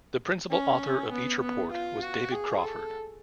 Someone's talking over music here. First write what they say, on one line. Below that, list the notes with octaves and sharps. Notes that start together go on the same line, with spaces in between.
The principal author of each report was David Crawford.
C#4
B3
B3
F4
F#4
G#4
A4